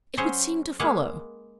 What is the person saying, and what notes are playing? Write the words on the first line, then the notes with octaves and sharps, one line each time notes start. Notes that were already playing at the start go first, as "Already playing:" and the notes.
'It would seem to follow.'
F#3 C#4 G#4 C5 C#5
G#3 A#3 B4 F5 F#5